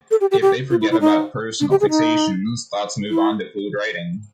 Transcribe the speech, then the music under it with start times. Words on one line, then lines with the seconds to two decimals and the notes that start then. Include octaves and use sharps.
If they forget about personal fixations, thoughts move on to fluid writing.
0.11 A4
0.21 G4
0.31 G4
0.42 G4
0.71 F4
0.81 E4
0.91 E4
1.01 D#4
1.60 D4
1.70 G4
1.81 G#4
1.90 D#4
3.10 E4